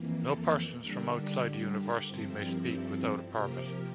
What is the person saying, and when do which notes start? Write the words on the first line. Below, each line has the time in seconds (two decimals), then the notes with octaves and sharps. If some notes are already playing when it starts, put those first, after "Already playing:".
No persons from outside the university may speak without a permit.
Already playing: F2 E3 A#3
0.18 A4
0.81 D3 G3 D4 G4 A#4
1.44 G4
1.76 G4 A#4
2.07 G2 F3 C4 E4 A4 C5
2.38 G4 A#4
2.70 A4
3.32 C3 F3 A#3 G4 A#4